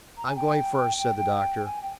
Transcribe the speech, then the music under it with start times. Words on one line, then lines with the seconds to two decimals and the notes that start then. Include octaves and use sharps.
"I'm going first," said the doctor.
0.17 A#5
0.27 G#5
0.36 G5
1.65 G#5
1.82 G5